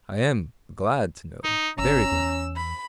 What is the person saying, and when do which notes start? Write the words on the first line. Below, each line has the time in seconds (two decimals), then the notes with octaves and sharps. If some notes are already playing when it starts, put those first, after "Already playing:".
I am glad to know, very glad.
1.44 D#4
1.79 G1 C#4 A#5 E6
2.12 E2
2.56 B5